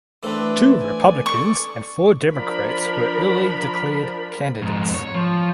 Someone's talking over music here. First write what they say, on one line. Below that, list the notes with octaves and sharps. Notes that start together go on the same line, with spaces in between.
Two Republicans and four Democrats were early declared candidates.
E3 A3 C4 D4 B4
D5 G#5
A4 D5 C#6
F3 D4 A#4 B5
F2 G#2
C#5
F3